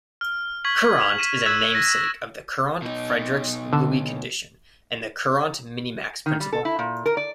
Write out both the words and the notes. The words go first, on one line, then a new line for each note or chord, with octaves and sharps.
Courant is a namesake of the Courant-Friedrichs-Lewy condition and the Courant minimax principle.
F6
C#6 G#6 B6 F#7
B6 D#7 E7
E6 F#6 G#6 A6 B6 E7
A#6
B2 D#4
D3 A5
D#3
G3
A4
E4
A#2
A#4
D5